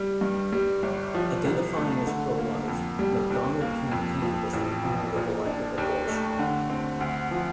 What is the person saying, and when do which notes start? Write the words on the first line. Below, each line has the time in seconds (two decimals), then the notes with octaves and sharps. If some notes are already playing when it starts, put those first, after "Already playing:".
Identifying as pro-life, McDonnell campaigned as an opponent of elective abortion.
Already playing: G3
0.21 G2
0.53 G3
0.83 G1
1.15 F3
1.44 C2
1.76 A3
2.07 D3
2.38 A#3
2.68 F2
2.99 G3
3.31 D#2
3.61 A#3
3.92 F2
4.22 F3
4.53 A1
4.85 F3
5.16 A#2
5.46 D4
5.78 D#2
6.08 A3
6.39 D3
6.70 C4
7.01 D2
7.31 F3